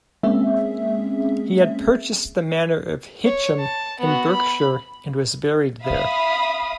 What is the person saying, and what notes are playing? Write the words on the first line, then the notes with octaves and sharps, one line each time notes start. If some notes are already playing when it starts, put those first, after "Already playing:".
He had purchased the manor of Hitcham in Berkshire and was buried there.
G#3 A#3 C4 C#4 G#4 E5
C#5
A5
B3 F#4
B5
E5 F5 B5 D#6